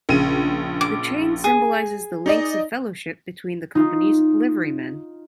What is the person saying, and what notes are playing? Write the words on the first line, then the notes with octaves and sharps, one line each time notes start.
The chain symbolises the links of fellowship between the Company's liverymen.
A#1 C#3 D#7
D6
G#4
D#4 D5 D#5
D#4 F4